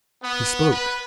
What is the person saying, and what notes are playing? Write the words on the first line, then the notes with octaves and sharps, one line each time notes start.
He spoke.
B3
B4